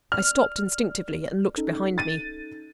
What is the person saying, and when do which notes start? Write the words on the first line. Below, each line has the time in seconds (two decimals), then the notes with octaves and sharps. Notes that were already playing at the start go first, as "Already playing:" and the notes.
I stopped instinctively, and looked behind me.
0.12 D5 F6
1.57 C#4 D#4 A4
1.98 A6 D#7